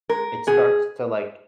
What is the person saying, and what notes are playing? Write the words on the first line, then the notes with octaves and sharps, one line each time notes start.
it's starts to, like,
G#3 A#4
B2 G#4